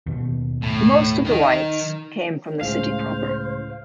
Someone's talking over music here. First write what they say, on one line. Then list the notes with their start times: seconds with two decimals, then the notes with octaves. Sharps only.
Most of the Whites came from the city proper.
0.06 D#2 B2
0.62 A2
1.25 D#3 D#5
2.61 C#2 A2 C#3 C5 F5